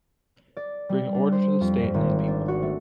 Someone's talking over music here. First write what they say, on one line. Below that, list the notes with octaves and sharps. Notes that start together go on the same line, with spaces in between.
Bring order to the state and the people.
D5
G3
D4
C5
F2
G2
G#1
D4
F#4
A3